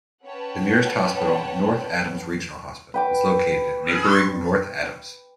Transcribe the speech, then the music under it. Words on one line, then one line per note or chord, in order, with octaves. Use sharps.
The nearest hospital, North Adams Regional Hospital, is located in neighboring North Adams.
C#4 B4 C#5 F#5 G5 A5
B4 G5 D6